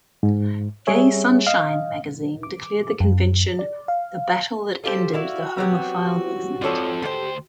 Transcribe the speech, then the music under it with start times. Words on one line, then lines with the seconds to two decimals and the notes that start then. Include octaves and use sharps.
"Gay Sunshine" magazine declared the convention "the battle that ended the homophile movement".
0.23 G#2
0.87 G3 G#4 C#5 E5
1.47 D#5 F5
2.43 D6
3.00 F#2
3.59 D5
3.88 F5
4.84 F4 G4 A4 C5
5.13 E4 F#4 D5 E5 F5
5.58 F#3 B3 C4 G4
6.62 G#2 F3 G#3 C4 F4 A4 C#5 D5
7.03 D2 G4 C5 G5